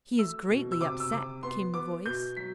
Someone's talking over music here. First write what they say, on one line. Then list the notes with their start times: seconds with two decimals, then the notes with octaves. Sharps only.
"He's greatly upset," came the voice.
0.19 A3 E6
0.49 B2
0.72 E6
0.81 C3 D6
1.00 E6
1.11 C3 D6
1.43 B3 C6
1.74 B3 D6
2.06 B2 G6
2.37 F#3 B6